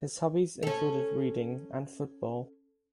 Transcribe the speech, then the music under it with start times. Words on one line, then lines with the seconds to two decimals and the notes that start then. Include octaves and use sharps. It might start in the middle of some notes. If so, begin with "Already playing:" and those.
His hobbies included reading and football.
0.63 C#4 A4